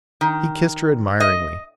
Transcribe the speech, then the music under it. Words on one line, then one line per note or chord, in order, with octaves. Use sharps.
He kissed her admiringly.
D#3
D#5